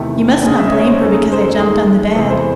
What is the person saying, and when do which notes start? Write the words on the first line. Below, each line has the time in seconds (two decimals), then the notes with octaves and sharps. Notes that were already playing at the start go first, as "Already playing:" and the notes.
You must not blame her because I jumped on the bed.
Already playing: E2 C3 D#3 A3
0.43 D#2 C#3 G#3 D#4 G#5
0.58 E5
0.67 D#5
0.72 C#5
0.86 C5
1.01 F#2 C#3 G#3 D#4 A4
1.32 C5
1.45 A4
1.58 D#2 D#3 G#3 G#4
2.15 E2 C3 E3 A4
2.30 C5